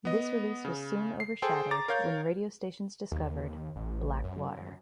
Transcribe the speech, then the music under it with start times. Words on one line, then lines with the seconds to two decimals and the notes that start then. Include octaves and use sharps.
This release was soon overshadowed when radio stations discovered "Black Water".
0.05 B3 D#5
0.65 C#3
1.20 C7
1.42 G#4 A4 C5 G5
1.71 A#5 D6 A6
1.88 A#4 C#5 F5 G6
3.12 D#2
3.76 A1
4.24 F#2